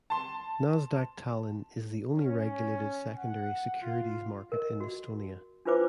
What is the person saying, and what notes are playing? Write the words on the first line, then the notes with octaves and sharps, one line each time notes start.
Nasdaq Tallinn is the only regulated secondary securities market in Estonia.
A5 C6
C#4
F#5
F4
A#4 D#5
F#4
D4 E4 F4 B4 C5 D6